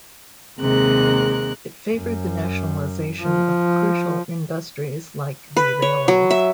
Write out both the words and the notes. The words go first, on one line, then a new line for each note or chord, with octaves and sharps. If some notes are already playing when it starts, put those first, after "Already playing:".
It favoured the nationalization of crucial industries like the railways.
D#2 C3 G#3 A#4 F#6
F#2
F3
B4
C#5
F#3
E5